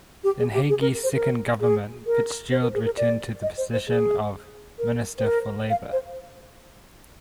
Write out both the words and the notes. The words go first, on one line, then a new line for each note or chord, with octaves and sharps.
In Haughey's second government Fitzgerald returned to the position of Minister for Labour.
G4
G#4
G4
G#4
A#4
C5
A#4
G#4
A#4
C5
A#4
G#4
A#4
D5
D#5
C5
C5
G#4
A#4
C5
A#4
F5
C5